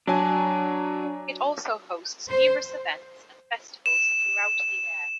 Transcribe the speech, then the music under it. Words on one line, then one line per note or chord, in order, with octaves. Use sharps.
It also hosts numerous events and festivals throughout the year.
F#3 D4 G#5
C5
E7